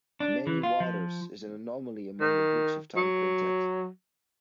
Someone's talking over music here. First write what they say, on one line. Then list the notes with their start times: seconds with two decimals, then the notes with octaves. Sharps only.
"Many Waters" is an anomaly among the books of the Time Quintet.
0.20 D4
0.47 E3
0.63 F4
0.80 F3
2.21 D#3
2.96 F#3